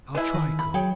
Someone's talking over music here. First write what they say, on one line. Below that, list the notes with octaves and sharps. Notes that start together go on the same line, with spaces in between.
"I'll try, Colonel!"
G#3 E4 B4 G#5
D#3
B5
F#3 G#4 C#5 G5